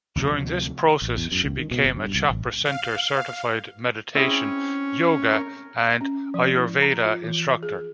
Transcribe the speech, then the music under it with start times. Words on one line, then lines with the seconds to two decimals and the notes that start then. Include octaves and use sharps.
During this process she became a Chopra Center certified meditation, yoga and ayurveda instructor.
0.16 D2 C3 F3 F#3
1.02 A1
1.17 E2
1.32 F#2
1.45 C#2
1.59 D#3
1.71 B2
1.84 G1
1.97 G2
2.14 C2
2.30 A1
2.65 F5
4.15 C4 C#4 E4 G#4
5.33 A#4
6.01 C#4
6.34 F3
6.57 E4
6.82 A#5
7.05 F4
7.24 E3
7.63 G#4